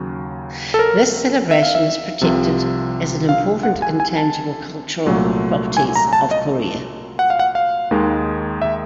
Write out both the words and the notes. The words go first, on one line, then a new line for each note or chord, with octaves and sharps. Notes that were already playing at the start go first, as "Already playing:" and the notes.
This celebration is protected as an Important Intangible Cultural Properties of Korea.
Already playing: D#2 C#3 F#3
A4
A#4
E5
F5
E5
C2 C3 F3
F5
F#5
G#5
G#5
A5
C2 A#2 F#3 A3
G#5
A#5
A5
D#5
F#5
F5
F#5
F5
D#2 D#3 G#3
E5